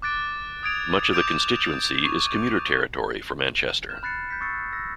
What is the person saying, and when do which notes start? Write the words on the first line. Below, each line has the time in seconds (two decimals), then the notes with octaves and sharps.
Much of the constituency is commuter territory for Manchester.
0.02 D6 F#6 A6 D7
0.63 D#6 G#6 D7 F7
1.13 D6 D#6 G6 D7 F7
2.05 C#6
3.90 F6 G6 E7
4.03 B5 F#6 A6 C7 C#7
4.28 G6 B6 C#7
4.41 C#6 D#6 E6 A6 C7 C#7
4.53 F#6
4.72 E6 A#6